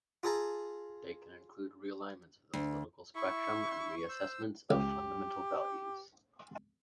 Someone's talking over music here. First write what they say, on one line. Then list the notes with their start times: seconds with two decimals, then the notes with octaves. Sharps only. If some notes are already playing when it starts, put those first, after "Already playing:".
They can include re-alignments of the political spectrum and reassessments of fundamental values.
0.23 F4 G#4 A4 A#5
2.53 D2
3.15 E4 E5 C#6
4.09 C5 E6
4.71 C#2 G4